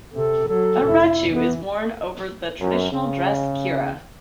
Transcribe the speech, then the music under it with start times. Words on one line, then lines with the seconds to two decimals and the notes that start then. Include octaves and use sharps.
A rachu is worn over the traditional dress kira.
0.14 C3 A4
0.48 F#3 A4
0.84 F1 E4
1.30 E3 B3
2.61 F#2
2.92 C#3